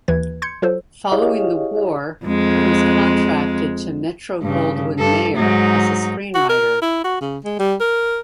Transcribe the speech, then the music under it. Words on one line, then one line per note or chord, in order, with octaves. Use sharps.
Following the war he was contracted to Metro-Goldwyn-Mayer as a screenwriter.
D#2 E3 B4 G#6
C6 G6 G#6 C#7
F#3 F4 A4 C5
E4 G4 G#4 C#5 D#5 F5
F2 G#3
G2 C#3
G2 A4
G#2 F#3 D#4
F#4
A#4
E4
F#4
C#3
G#3
G3
A#4